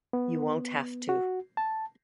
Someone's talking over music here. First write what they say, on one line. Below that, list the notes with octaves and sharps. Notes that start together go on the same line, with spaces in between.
You won't have to.
B3
F#4
A5